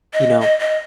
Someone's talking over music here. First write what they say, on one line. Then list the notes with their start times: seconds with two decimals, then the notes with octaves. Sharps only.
You know
0.13 D#5
0.41 D#5
0.59 D#5